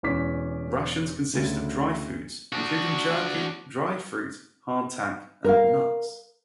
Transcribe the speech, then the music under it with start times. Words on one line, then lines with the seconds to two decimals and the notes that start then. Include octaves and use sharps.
Rations consist of dry foods, including jerky, dried fruit, hardtack, and nuts.
0.03 E1 E2 C#4 D6 B6
1.33 D2 C#3
2.52 D4 F#4
5.44 A#4 F5